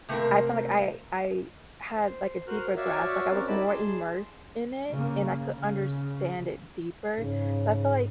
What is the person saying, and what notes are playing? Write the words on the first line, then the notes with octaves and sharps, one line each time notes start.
I felt like I I had, like, a deeper grasp, like, I was more immersed in it, and I could understand it deeper. So I feel like
C3 A3 A#3 C4 A#4
C5
F#4 A#4 C5 F6 F#6
F#4 C#5 D5 E5 F5
C4 C#4 F#4 A#4 D5
D#4 E4 D5 D#5 A5 B5
G#4 A5 C6
C#3 A#3
C#3
G#2 C#3